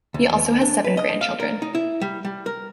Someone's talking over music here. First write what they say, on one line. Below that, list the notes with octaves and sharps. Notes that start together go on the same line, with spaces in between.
He also has seven grandchildren.
D2
D#2
D4
B4
D#5
F5
A#4
D#4
E4
G3
G3
A#4